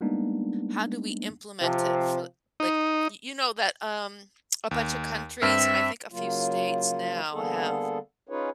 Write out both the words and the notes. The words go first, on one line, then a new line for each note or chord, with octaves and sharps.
how do we implement it for l like, y you know that, um, a bunch of countries and I think a few states now have
G3 G#3 A#3 B3 D4 D#4
C3 F3 C4
D#4
D#2
G2 C4 E5 F6
C#3 F#3 A#3 F4
D3 G3 A#3 B3 G#4 A4
C#4 D#4 F4 G#4 B4 C#5